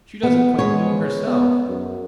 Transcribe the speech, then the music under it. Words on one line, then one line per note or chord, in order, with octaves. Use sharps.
She doesn't quite know herself.
B3
G#3 G#4 B4 C#5
B3
F#2